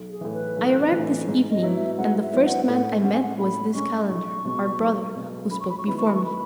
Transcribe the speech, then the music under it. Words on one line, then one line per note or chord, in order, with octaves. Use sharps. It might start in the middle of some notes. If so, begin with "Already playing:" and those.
I arrived this evening, and the first man I met was this calender, our brother, who spoke before me.
Already playing: B1
G#4
A2 E3
B4
B1
A2 E3
G#2
D#5
F#3 B3 E4
E5
G#2 F#5
E5
F#3 B3 E4
F#5
A2 F#5
G#3 C#4 F#5
G#5
F#5
A2 B5
G#3 C#4 C#6
B1 C#6
B2 G#3 B3
B1
B2 G#3 B3
F#2 B5
C#6
B5
C#6
D#3 F#3 B3 E4 B5
C#6
B5
C#6
B5